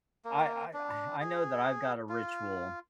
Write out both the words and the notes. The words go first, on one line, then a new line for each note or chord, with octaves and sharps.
I I I know that I've got a ritual,
A#3
D4
G#4
F4